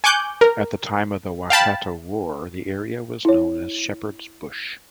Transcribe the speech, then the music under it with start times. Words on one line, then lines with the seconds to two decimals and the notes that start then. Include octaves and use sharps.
At the time of the Waikato War, the area was known as Sheppards Bush.
0.04 G#5 C#6 D6 F#6 G6
0.41 A#4
1.50 F5 G5 A5 B5
3.25 E4 C#5